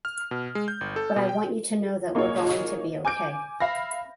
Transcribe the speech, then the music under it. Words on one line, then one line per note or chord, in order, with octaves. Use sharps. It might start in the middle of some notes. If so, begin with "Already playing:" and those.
But I want you to know that we are going to be okay.
F6
B2
G#3
G6
G1
A4
B2
G5
A#3 D#4 F4 G#4 C#5
G#5 D6 G6 D7
E5 F5 B5 A#6